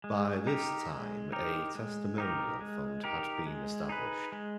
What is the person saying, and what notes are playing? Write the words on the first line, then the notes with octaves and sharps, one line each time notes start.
By this time, a testimonial fund had been established.
G#3
D#4 G4 A#4
G#3
D#4 G4 A#4
G#3
D#4 G4 A#4
G#3
D#4 G4 A#4
G#3
D#4 G#4 B4
G#3